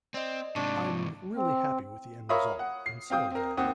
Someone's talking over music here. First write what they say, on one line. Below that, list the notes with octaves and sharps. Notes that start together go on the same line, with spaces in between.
I'm really happy with the end result and so are they.
C4 D5 D#5
G#2 C3 D4 C#6
C4
A#4 C#5 E5 F5 B5 D#6
F#5
C7
C4 F5 G5 D#6
C4 A#4
D#2 C4 F#5 D#6